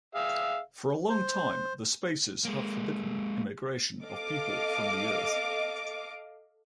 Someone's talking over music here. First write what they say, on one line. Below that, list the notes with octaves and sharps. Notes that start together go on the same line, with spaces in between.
For a long time, the Spacers have forbidden immigration of people from the Earth.
G#4 E5 F5
C5
G#3 A#3
A4 D#5 F5 D6